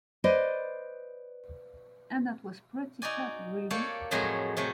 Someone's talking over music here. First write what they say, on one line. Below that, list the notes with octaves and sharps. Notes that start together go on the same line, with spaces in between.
And that was pretty sad really.
B4 C5 D5 D#5
D#4 F#4 D5 G#5
A#3 G4 A4 C#5 D5
F2 A2 F#3 G#3 A#4 F#5
C3 F#3 A3